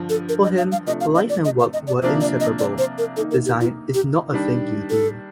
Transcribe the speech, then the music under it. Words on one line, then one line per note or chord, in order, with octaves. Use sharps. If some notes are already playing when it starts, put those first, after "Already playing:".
For him, life and work were inseparable: Design is not a thing you do.
Already playing: G2 D3 F3
A4
A#4
D#5
F5
F5
C3 F3 A3 D4 D#5
F5
D#5
D5
D#5
F5
D#5
D5
C3 F3 A#3 D4 C5
D5
D#5
D5
C5
A#4
D#3 A#3 D#4 A4
A#4
G4
F4
G4
D#3 G3 D4
A4